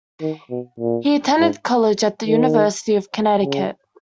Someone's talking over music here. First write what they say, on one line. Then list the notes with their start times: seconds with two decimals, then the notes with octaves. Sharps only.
He attended college at the University of Connecticut.
0.22 D#3
0.51 B2
0.80 A#2
1.39 G#2
2.27 D#3
3.44 C#3